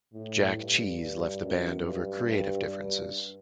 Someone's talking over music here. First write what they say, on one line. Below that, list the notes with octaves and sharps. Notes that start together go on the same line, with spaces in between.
Jack Cheeze left the band over creative differences.
A2
G2
G2
F#2
G2
G2
G2